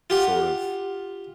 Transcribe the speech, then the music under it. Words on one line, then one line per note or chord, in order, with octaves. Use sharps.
sort of
F4 G4 F#5